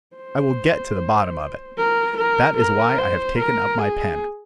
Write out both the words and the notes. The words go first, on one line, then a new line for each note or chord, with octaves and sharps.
I will get to the bottom of it! That is why I have taken up my pen....
C5
A#4
A#4
A#4
C5
A#4
G#4